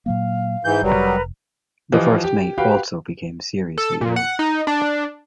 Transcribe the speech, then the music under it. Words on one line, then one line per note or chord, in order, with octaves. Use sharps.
The first mate also became seriously ill.
A#2 F#3 A#3 F5
G#2 E3 G6
F1 F#3 G3 A#4 B4 A#5
E3 F3 F4 G4 D#5
G4
F#4 G4 B4 F5 G5
A4
A#2
F#5
D#4
D4